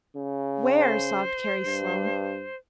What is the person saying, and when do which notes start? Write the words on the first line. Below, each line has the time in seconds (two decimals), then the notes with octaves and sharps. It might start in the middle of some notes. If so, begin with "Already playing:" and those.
"Where?" sobbed Carrie Sloane.
0.16 C#3
0.77 C5
1.65 G2